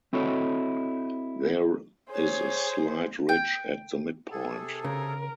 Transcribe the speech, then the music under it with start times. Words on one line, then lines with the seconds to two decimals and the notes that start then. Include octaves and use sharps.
There is a slight ridge at the midpoint.
0.13 C4 E4 F#4 A4 C#5 D#5
2.12 G#4 C5 C#5
3.29 G5
4.31 C3 G#4 A4
4.84 C#3 A#4